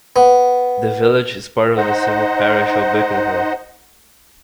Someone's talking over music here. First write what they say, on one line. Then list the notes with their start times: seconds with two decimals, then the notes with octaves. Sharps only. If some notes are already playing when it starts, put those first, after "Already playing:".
The village is part of the civil parish of Bickenhill.
0.16 B3
1.77 D#4 C5 D#5 F#5